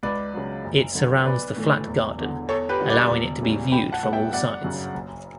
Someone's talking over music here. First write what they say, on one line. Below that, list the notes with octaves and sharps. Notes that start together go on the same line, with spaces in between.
It surrounds the flat garden, allowing it to be viewed from all sides.
C#2 B4 D5
C#3 F#3
F#1
F#2 D3
B1 B4 D5
A2 E3 A3
E1
E2 D3
E2 A4 C#5
G4 B4
D3 G3 B3
B4 D5
E1
D2 C#3 G3
A1 G5 B5
F#5 A5
A2 G3 B3 F#5
E5 G5
G1 D5 F#5
F#2 C#3
F#1